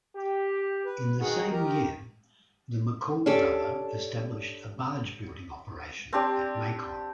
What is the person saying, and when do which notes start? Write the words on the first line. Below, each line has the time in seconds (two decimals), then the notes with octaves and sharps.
In the same year, the McCall brother established a barge-building operation at Macon.
0.16 G4
0.85 B4
1.21 D#3 F#4 G#4 F#5
1.52 G4 A#4 A#5
3.26 C#4 D4 G4 A4
6.13 C4 D4 G4 D5